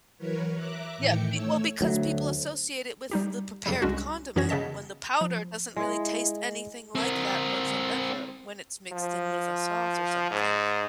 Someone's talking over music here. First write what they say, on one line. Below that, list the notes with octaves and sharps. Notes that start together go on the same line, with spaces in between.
Yeah, b well, because people associate it with the prepared condiment, when the powder doesn't really taste anything like that whatsoever when it's mixed in with a sauce or something.
E3 F#3 A#4 B4 C#5
E5 A#5 D6 F#6
A2 D#3 E3 G5 D6 C#7
A3 C#5 E6
D2 F#3 A3
G3 D#4 G4
F2 C#3 F#3 G3
C2 G#3 C#4 D4 F#4
F#2 E3 C#4 F#4 C#5 A#6
C#3 B3 D#5 A5 B6
F3
G#3 E4
C4 A#4
F3
G#2